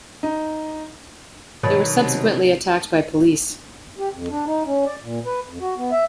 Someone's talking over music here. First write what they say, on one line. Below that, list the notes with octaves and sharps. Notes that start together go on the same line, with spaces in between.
They were subsequently attacked by police.
D#4
B2 D#3 F#3 D4 C#5 B5 A6
C3
G4
F2
D4
D#4
C#4
D5
A#2
B4
F2
F#4
B3
E5